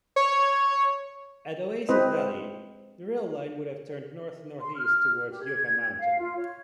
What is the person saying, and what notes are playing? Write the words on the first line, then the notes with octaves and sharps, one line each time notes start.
At Oasis Valley, the rail line would have turned north-northeast towards Yucca Mountain.
C#5
G#3 C4 E4 B4 C5 D#5
C6
F6
G4
G#6
F5
F4
C#5